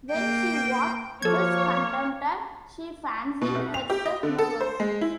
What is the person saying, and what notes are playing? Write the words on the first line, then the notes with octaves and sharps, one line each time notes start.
When she was discontented, she fancied herself nervous.
A#3 G5
F3 A#3 A4 C#5 G#6
B2
C2
F7
G4
D#5
D3
A4
C5
G#3
E4